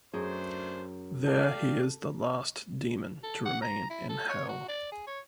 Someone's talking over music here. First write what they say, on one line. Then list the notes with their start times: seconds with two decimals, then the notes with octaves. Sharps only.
There he is the last demon to remain in Hell.
0.14 F#2 A3 D4 G#4 C5
1.26 A4 D5 F5 G5
3.23 A4
3.45 F#5
3.62 A#5
3.90 E4
4.09 A4
4.29 C#5
4.49 F#4
4.68 D5
4.92 G#4
5.07 C#5